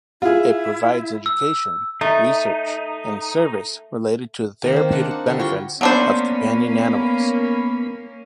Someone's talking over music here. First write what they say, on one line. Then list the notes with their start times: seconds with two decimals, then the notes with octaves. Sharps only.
It provides education, research, and service related to the therapeutic benefits of companion animals.
0.22 E4 F4 G#4
1.26 E6
2.01 A3 D#4
4.63 D#3 A#3 C5
4.76 C4
4.91 D4 D#4 F#5
5.11 F#5
5.26 D3 G3 F#5
5.39 F4 F#4 G5 C#6
5.81 F#3 A#3 B3 C#4 D4 C5 B5